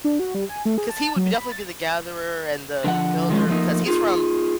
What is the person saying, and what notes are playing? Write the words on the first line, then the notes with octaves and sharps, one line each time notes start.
'Cause he would b definitely be the gatherer and the builder because he's from,
D4
F#4
G3
G#5
A3
G#4
A5
F#3
B5
A6
D3 F3 F#5
D#3 F3 G3 G#3 C#4
F3 A3 A#3 D#4
D#4 F4 G#4